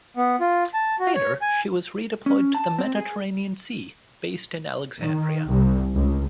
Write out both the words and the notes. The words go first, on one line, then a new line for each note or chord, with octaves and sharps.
Later, she was redeployed to the Mediterranean Sea, based in Alexandria.
B3
F4
A5
F#4
C#5
G#5
C#4
A5
C4
G#4
D#3
C2
C#2